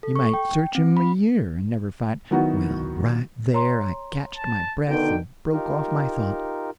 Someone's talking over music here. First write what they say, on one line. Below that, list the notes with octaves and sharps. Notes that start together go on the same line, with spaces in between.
You might search him a year and never find--Well, right there I catched my breath and broke off my thought!
A4
C#6
G5
C4
B5
D#3 F#3 B3 D#4 E4 F#4
C#5 A#5 C6
A5
B2 D3 D#3 G5
D#4 F4 G4 A#4